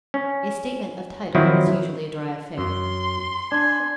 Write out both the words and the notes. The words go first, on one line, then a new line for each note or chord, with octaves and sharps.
A 'statement of title' is usually a dry affair.
C#4
D#3 F3 F#3 C4 E4
F#2 C6
D4 G#5